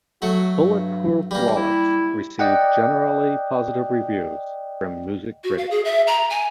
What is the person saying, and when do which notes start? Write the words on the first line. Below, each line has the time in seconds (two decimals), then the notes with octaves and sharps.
"Bulletproof Wallets" received generally positive reviews from music critics.
0.22 F#3 A3 F#4
0.62 G2
1.31 E3 G3 A#3
1.55 E4
2.39 D5 D#5 F#5 G5
5.44 F#4
5.58 F5
5.71 G#4
5.85 E5
6.07 A#5
6.30 G#5